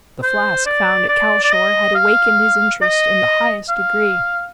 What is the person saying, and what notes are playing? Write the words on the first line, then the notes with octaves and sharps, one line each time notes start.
The flask found at Calshor had awakened his interest in the highest degree.
C5
D5
D5
D5
D#5
F5
D#5
F5